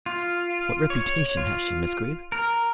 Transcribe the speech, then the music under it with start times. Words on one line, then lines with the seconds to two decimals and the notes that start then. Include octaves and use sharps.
"What reputation has she, Miss Greeb?"
0.06 F4
0.90 C#5
1.37 F4
2.32 A#4